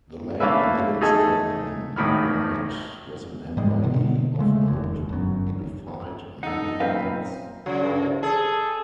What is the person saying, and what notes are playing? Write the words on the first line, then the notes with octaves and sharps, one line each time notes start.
The late Livingstone Mahwite was an employee of note who defied many odds.
A3 A#3 C#4 B4 E5
A3 D#4 G#4 A4
G#1 A2 D#3 B5 F6
G#2 G3 G#3
B2 D3
C#3 G#3 A3
F1 D#2
G1 F#2
D#4 A4 F#5
F#2 A#2 C4 B4 F5
C#3 F#3
G2
C2
G#4 A4